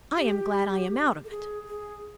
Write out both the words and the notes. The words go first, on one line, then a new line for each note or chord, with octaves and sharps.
I am glad I am out of it.
G4
A4
G#4
G#4